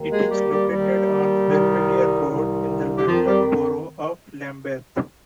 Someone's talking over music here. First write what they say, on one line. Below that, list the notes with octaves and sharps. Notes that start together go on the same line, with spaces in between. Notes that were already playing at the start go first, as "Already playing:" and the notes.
It is located on Belvedere Road in the London Borough of Lambeth.
Already playing: D#2 D#3
G#3 G#4
G3 G4
G3 G4
D#2 D#3 G3 G4
C2 C3 D#3
C2 C3 D#3
G4
F2 D#3 F3 F4
G3 G4